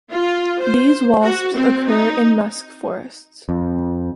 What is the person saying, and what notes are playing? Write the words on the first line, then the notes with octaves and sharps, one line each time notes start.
These wasps occur in musk forests.
F4
C5
F#4
C4
D#4
F2